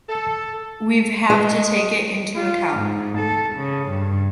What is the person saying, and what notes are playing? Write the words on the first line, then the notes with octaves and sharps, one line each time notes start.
We’ve have to take it into account.
A4
G#3
F4
G#2
A4
C#3
G2